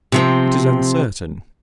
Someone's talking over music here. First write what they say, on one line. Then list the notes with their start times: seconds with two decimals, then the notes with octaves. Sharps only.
It is uncertain.
0.12 C3 F3 C4